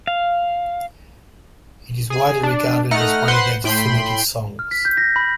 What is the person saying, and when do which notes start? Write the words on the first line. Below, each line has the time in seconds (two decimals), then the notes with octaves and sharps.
It is widely regarded as one of their definitive songs.
0.07 F5
2.10 G#4 G#5
2.43 D4
2.91 A3 D#4 F#5 F6 A#6
3.28 B4 C5 F#5 C6
3.64 A2 G5 B5 C6
4.59 F6
4.71 B6
4.85 G6
4.97 A#6
5.16 B5